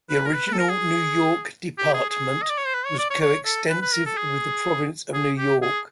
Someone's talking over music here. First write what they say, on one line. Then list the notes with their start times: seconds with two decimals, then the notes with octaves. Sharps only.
The original New York Department was coextensive with the Province of New York.
0.09 B4
0.26 A#4
0.33 B4
0.46 B4
0.52 A4
0.58 A#4
0.69 G#4
1.78 G4
1.94 G#4
2.09 G#4
2.42 D#5
2.49 D5
2.58 C#5
2.66 C5
2.74 B4
2.85 C#5
2.98 D5
3.10 C#5
3.21 C#5
3.45 A4
3.69 B4
3.82 B4
3.93 A#4
4.06 A4
4.17 G#4
5.13 G#4
5.38 G4
5.62 G#4